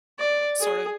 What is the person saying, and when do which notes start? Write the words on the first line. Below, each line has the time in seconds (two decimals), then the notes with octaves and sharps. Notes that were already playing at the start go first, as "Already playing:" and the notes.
sort of
0.19 D5
0.60 G#4